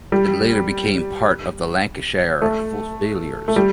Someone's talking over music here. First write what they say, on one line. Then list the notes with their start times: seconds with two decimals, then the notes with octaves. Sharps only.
It later became part of the Lancashire Fusiliers.
0.12 G3
2.42 A3
3.48 A3
3.56 G3